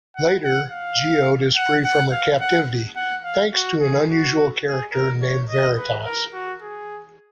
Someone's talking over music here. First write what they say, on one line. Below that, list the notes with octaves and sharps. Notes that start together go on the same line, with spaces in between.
Later, Geode is free from her captivity, thanks to an unusual character named Veritas.
F#5
F#5
F5
F#5
F#5
F5
F#5
F#5
F5
F#4
G#4
F#4
G#4
A#4
C#5
D#5
B4
A#4
F#4
G#4